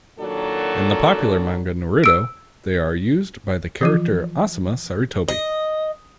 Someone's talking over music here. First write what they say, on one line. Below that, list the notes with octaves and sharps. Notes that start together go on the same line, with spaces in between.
In the popular manga Naruto, they are used by the character Asuma Sarutobi.
A#2 D#3 F#3 D4 F#4 A4
E6 D7
E3 F3 F4
D#5